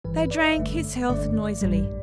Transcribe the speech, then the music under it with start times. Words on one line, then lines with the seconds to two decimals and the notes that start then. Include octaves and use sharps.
They drank his health noisily.
0.04 G1 G2 E3 B4
0.18 B4
0.31 D5
0.44 E5
0.57 G1 G2 D3 A3
1.09 G1 G2 D3 A3 D5
1.61 A1 G2 G3